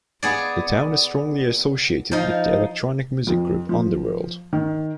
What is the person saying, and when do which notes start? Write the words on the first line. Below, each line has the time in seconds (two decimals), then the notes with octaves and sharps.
The town is strongly associated with the electronic music group Underworld.
0.23 B3 G#4 D5
2.12 F3 D#4
3.27 F2
3.69 F3
4.53 D#3